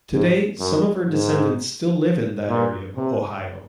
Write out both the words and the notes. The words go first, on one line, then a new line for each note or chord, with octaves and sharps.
Today, some of her descendants still live in that area of Ohio.
G#2
F#2
G#2
A#2
C3